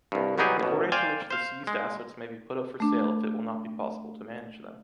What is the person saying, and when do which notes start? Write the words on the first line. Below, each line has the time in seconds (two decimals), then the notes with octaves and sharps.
According to which the seized assets may be put up for sale if it will not be possible to manage them.
0.12 C2 G2
0.38 C2 F#3 B3 D#4 G4 G#4
0.59 A1 B2
0.92 C5 D5 F5 G5 G#5
1.30 C5 F5
1.67 G#3
2.80 A3 D4